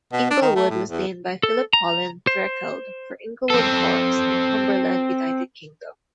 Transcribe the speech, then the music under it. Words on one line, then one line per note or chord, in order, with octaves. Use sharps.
Inglewood was named by Philip Colin Threkeld for Inglewood Forest in Cumberland, United Kingdom.
B2
D4
D#3
A3
A2
E2
A4
A#5
C5
C4 A4